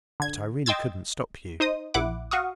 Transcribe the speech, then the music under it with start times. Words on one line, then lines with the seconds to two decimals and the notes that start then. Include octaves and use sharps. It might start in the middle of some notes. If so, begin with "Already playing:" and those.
But I really couldn't stop you.'
0.20 D3 G#6
0.66 D#5 G5 C6 E6 G#6 A6
1.60 D#4 C5 D#5 D#6
1.94 A#1 E4 F#5 D6
2.31 F#4 F5 C#6 D#6